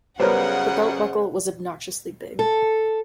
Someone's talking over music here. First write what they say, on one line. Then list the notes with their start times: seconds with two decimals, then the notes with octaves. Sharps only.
The belt buckle was obnoxiously big.
0.20 F#2 C#3 G3 B3 A#4 C5 C#5 F#5
2.39 A4